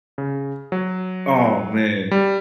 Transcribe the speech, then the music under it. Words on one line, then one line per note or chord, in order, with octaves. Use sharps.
Oh, man.
C#3
F#3
G3